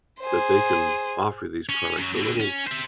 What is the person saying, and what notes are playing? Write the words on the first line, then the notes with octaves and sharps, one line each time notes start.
that they can offer these products a little,
G#4 C5
C#4
F#2 F#3
B2 D3
C#4
C5 E5